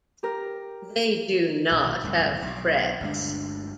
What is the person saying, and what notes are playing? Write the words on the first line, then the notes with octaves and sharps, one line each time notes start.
They do not have frets.
G4 A#4
B1 A#2 D#3
D1 C2 G2
B1 B2
G1 D2 G#3 D4